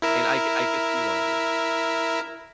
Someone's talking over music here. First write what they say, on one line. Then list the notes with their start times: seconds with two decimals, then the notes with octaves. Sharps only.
and, I cou I could see why it is.
0.02 E4 A#4 E5